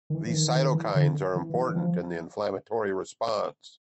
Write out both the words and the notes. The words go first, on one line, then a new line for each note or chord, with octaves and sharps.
These cytokines are important in the inflammatory response.
D#3
E3
E3
D#3
E3
D#3
E3
D3
E3
E3
F3